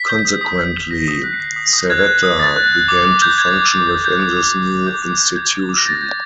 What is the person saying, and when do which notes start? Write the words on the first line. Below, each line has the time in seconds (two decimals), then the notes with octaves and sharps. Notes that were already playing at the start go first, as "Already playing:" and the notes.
Consequently, Serreta began to function within this new institution.
Already playing: B6
0.08 G6
0.25 D#6
0.41 D#6 B6
0.58 G6
0.75 G6
0.91 D#6 A#6
1.08 D#6
1.24 F#6
1.33 C7
1.40 F#6 B6
1.56 D#6
1.73 D#6
1.90 F#6 G#6
2.07 F#6
2.23 D#6
2.39 D#6 A6
2.56 F#6
2.72 F#6
2.88 D6
3.05 D6
3.22 G6
3.38 G6 G#6
3.54 D6
3.72 D6
3.87 G6
4.04 G6
4.20 D6
4.37 D6
4.54 G6
4.70 G6
4.86 D6 G6
5.02 D6
5.19 G6
5.35 G6 G#6
5.53 D6
5.69 D6
5.78 A#6
5.85 G6 A6
6.01 G6